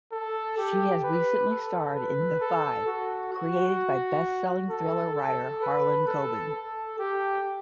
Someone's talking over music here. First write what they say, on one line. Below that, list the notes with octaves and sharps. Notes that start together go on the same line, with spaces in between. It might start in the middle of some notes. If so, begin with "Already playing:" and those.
She has recently starred in The Five, created by bestselling thriller writer Harlan Coben.
A4
G4
B4
A4
B4
A4
F#4
F#4
A4
A4
B4
A4
A4
G4